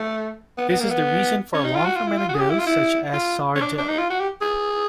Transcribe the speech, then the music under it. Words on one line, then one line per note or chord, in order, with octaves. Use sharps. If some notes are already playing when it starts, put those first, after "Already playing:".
This is the reason for long fermented doughs such as sour dough.
Already playing: A3
B3
B3
A#3
B3
C#4
D#4
F4
F#4
F4
E4
F4
F#4
G#4
G4
E4
F4
E4
F4
C#4
D4
D4
D#4
F4
F#4
G4
G#4